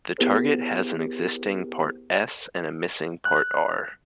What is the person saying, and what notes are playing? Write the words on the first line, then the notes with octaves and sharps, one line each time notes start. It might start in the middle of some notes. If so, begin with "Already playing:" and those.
The target has an existing part "S" and a missing part "R".
B3 E4 G4 G#4 A#4 C5
F#6